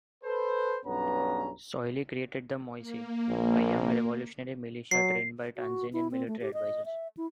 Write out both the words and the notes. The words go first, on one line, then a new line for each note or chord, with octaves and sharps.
Soilih created the 'Moissy', a young revolutionary militia trained by Tanzanian military advisers..
A4 B4 C5
B1 G2 B3 C#4 A#5
A#3
A#1
F#3 C7
F#4
E4
C4
A3
G4
D#5
E5
E4